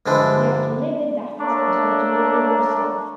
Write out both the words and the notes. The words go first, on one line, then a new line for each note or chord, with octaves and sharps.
You have to live with that, as you have to live with yourself.
G2 D3 F3 G#3 D4 E4
A3 A#3 D4 A4 C#5 A#5